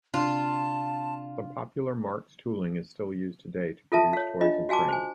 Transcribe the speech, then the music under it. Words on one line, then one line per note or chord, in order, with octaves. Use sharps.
Some popular Marx tooling is still used today to produce toys and trains.
C3 D4 F4 A5
F4 A4 E5 A5
C#5 F5
D4 F4 D#5
F#4 F5 G#5 A5 D6
C5 G#5